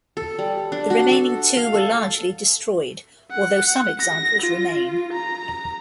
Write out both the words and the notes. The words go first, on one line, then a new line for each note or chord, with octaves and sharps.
The remaining two were largely destroyed, although some examples remain.
A4
G3
D4
F#4
A4
F5
A4
F#5
A#6
F4
A#5